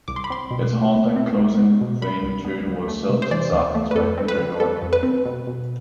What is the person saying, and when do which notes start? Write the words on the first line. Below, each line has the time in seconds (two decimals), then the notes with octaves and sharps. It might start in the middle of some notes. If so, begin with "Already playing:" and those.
Its haunting closing theme tune was "Silks and Satins" by Peter Yorke.
0.08 C2 D6
0.16 C6
0.24 B5
0.30 C4 C6
0.51 B2
0.73 A3
0.94 C2
1.16 C4
1.38 C2
1.58 B3
1.81 B2
2.02 G3 B5
2.23 C2
2.45 B3
2.67 D2
2.88 A3
3.09 C3
3.22 C5
3.31 E3 D5
3.52 D2
3.75 A3
3.91 B4
3.95 F2 A4
4.18 C4
4.28 B4
4.38 D3
4.60 G3 A4
4.82 F2
4.93 B4
5.03 C4
5.26 B2
5.47 B2